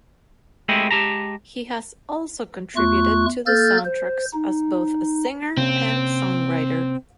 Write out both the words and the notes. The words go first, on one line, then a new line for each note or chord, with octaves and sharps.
He has also contributed to the soundtracks as both a singer and songwriter.
G#3 A3 C4 E4 G4 D#5
G#3 G4 A5 A#5
E2 A3 F4 C#6 F#6
A#3 A4 F6 G6 A6
C5
D#4
C3 A#3 C4 C#4